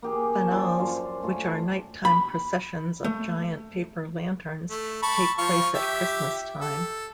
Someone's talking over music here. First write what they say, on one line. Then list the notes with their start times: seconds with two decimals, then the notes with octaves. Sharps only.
"Fanals", which are night-time processions of giant paper lanterns, take place at Christmas time.
0.02 A#3 G4 G#4
0.38 C#5 G#5 A5
0.51 F3 C#4 F4 D5
0.79 F#2 C5 F5
1.23 A3 F4 A4 G#5
2.05 B5
3.04 A3
4.70 A3
5.02 A5 B5 C#6
5.38 F3 F4 C#6
5.75 G4 E5
6.62 A4